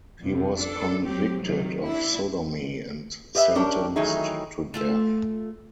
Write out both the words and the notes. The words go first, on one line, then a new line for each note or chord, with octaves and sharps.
He was convicted of sodomy and sentenced to death.
F2 A2 C3
D4 A4
F#3 C4 G4
C3 D#3 F#3
D4 E4
G4 B4 D#5 E5
C#4 D4 G4 A#4
D#3 E3 F#3 A3 D#4 G#4
A3 F4 A4